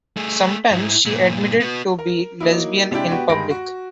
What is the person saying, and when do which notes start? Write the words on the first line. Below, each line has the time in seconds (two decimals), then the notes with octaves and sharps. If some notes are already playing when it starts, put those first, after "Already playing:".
Sometimes, she admitted to be lesbian in public.
0.17 A3 G#4
0.71 G#2 E4
1.06 G2 A#2
1.61 B3 F#4
1.99 A#4
2.40 F#3 A#3 D#4 E4
2.91 C3 G#3 D4 E4 G4
3.11 B3 F#4 G4
3.29 G2 D#3 G#3 B5 A#6 D7
3.50 F#4